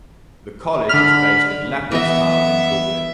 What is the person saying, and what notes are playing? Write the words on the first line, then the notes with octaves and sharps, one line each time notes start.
The College is based in Leopardstown in Dublin.
D3 B5 F6
E3 B3 D#5 E5